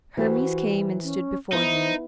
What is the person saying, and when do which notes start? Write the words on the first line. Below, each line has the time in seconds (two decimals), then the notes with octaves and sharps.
Hermes came and stood before him.
0.17 E3 F#4 G4 C5
1.03 C#4
1.53 B3 D#4 E4 B4 C5